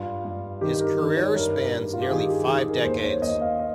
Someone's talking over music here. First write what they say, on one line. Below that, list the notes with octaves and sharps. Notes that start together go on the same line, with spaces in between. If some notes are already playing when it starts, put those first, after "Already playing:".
His career spans nearly five decades.
Already playing: G2 F4
G2
D#3 G4
A#4
D#3
C#5
G2 A#4
G2
F4
G4
D#3 G#4
G4
D#3 G#4
A#4
D#2 C5
C5
C#5
D#2 D#5
F5
D#5